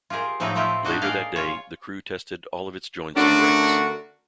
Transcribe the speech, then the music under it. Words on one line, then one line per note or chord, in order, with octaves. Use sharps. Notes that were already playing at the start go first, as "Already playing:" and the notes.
Later that day, the crew tested all of its joints and brakes.
F4 G4 G#4 A#4 C5
A2 F3 F#3 C4 D#4 B4
A3 C4 E4 F4 G4
D4 D#4 F#4 D#5
G#4 A#4 D5 D#5 F5
F4 C#5
D3 A3 C#4 D4 F#4 A#4